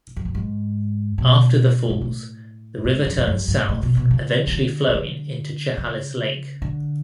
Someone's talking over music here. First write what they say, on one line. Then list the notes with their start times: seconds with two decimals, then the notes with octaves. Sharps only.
After the falls, the river turns south, eventually flowing into Chehalis Lake.
0.16 F2
0.25 F#2
0.35 G#2
1.18 B2
1.90 G#2
2.01 A2
2.85 G#2
3.06 F2
3.18 G#2
3.27 F#2
3.38 F#2
3.48 G#2
3.69 A2
3.83 B2
3.97 B2
4.11 C#3
4.47 C#3
4.52 D3
4.89 F3
4.94 D3
5.77 C#3
6.62 D3